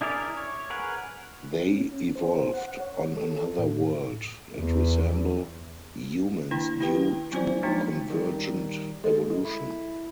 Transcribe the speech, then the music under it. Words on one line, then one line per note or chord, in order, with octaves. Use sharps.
They evolved on another world and resemble humans due to convergent evolution.
D4 E4 G#4 A#4 D5
C#5
G#4 A#4 B4 F#5
C#4
C5
F#5
C#5
A4
A2
E2
D#3 A#3 D4 E4
E4 G4 B4 G5
F#3 C4 C#4 F4 C5 D5
F3 G#3 A#3 D4 D#4 F#4
D#3 G3
G#3 A4
E4